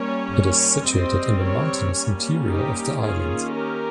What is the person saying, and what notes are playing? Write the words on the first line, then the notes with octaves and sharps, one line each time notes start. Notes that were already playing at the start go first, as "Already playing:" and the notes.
It is situated in the mountainous interior of the island.
Already playing: G3 A#3 C#4 A#4 C#5
A#4 C#5
G3 C4 C5 D#5
A#4 C#5
G3 A#3 C#4
D#4 G4
D#3 A#3 C#4 F4 G#4
G4 A#4